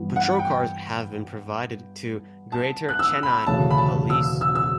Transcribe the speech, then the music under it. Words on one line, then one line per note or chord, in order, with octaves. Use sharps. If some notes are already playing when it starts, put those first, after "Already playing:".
Patrol cars have been provided to Greater Chennai Police.
Already playing: G2 E3 B3
F#5
G5
A5
F#6
E6
B5
E1 D2 C#3 E3 A3 A5
B5
A5
E6
E6
E6